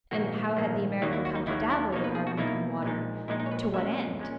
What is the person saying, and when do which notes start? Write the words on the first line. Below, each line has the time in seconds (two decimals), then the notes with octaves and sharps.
And how had the American come to dabble the garment in water--to what end?
0.11 A#1 G#2 D#3 A#3 F#4
0.57 A#1 G#2 D#3 A#3
1.02 D#2 D#3 F#3 A#3 D#4
1.13 E4
1.25 F#4
1.35 D#4
1.47 D#2 D#3 F#3 A#3 E4
1.70 E4
1.92 B1 B2 A#3 D#4 C#5
2.04 B4
2.15 G#4
2.27 F#4
2.37 B1 B2 A#3 D#4 E4
2.83 A#1 A#2 G#3 D#4
3.28 A#1 A#2 G#3 D#4 E4
3.40 D#4
3.46 C#5
3.51 B4
3.63 C#5
3.74 A#2 G#3 C#4 E5
4.19 A#2 G#3 C#4